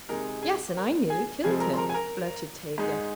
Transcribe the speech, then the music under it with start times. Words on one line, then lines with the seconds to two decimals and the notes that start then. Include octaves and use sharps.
"Yes, and I nearly killed him," blurted Tavia.
0.09 C3 G#3 D#4 A#4 A#5
0.43 G#4 G#5
0.77 A#4 A#5
1.10 G#4 G#5
1.43 F2 C3 F3 G#3 C4 G#4 G#5
1.60 A#4 A#5
1.73 C6
1.78 A#4 A#5
1.90 G#5
1.94 A#4 A#5
2.78 G#2 G#3 D#4